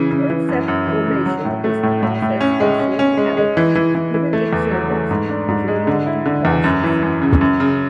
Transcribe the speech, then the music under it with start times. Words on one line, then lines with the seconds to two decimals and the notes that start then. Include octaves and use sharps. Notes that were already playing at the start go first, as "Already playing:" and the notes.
Concept formation is the process of sorting out given examples into meaningful classes.
Already playing: C#3 E3
0.11 C#3
0.30 E3
0.49 F#2
0.68 F#2
0.87 E3
1.07 C#3
1.26 F#3
1.45 A2
1.64 A3
1.83 A2
2.03 A2
2.22 A2
2.41 C#4
2.60 G#3
2.79 C#4
2.99 C#4
3.17 G#3
3.37 G#3
3.57 E3
3.75 E3
3.95 E3
4.14 E3
4.33 A3
4.53 E2
4.71 F#3
4.91 A3
5.11 G#2
5.29 D4
5.48 G#2
5.68 G#3
5.87 D3
6.06 E4
6.25 D3
6.45 E2
6.64 F#2
6.84 E3
7.03 F#2
7.22 C#3
7.41 F#2
7.60 C#3